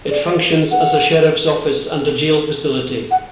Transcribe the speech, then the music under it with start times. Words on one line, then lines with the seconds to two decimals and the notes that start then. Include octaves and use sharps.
It functions as a Sheriff's office and a jail facility.
0.10 D5
0.71 F#5
3.11 F#5